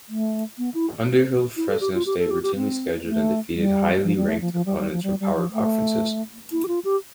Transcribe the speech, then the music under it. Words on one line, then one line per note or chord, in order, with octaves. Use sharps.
Under Hill Fresno State routinely scheduled-and defeated-highly ranked opponents from power conferences.
A3
B3
E4
E4
A4
G4
F4
G4
A4
G4
G4
C4
A3
G3
F3
G3
A3
F3
F3
G3
G3
F3
G3
G3
F3
A3
E4
G4
F4
G4